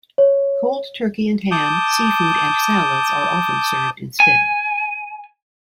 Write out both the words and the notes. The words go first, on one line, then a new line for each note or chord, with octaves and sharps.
Cold turkey and ham, seafood, and salads are often served instead.
C#5
A5 D6 D#6 G6
G#5